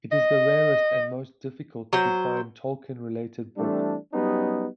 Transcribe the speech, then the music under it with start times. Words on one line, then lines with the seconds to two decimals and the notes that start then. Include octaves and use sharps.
It is the rarest and most difficult to find Tolkien-related book.
0.12 D#5
1.93 F#3 C5
3.57 E3 G3 A3 C4 D4
4.13 F#3 G3 B3 C#4 D#4 G4